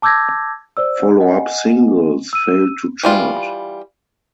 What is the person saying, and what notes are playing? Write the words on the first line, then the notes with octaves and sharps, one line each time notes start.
Follow-up singles failed to chart.
A5 D6 E6 G6 G#6 A#6
C5 D5 E6
D#5 F#5 G#5
E6 D#7
E3 G3 F4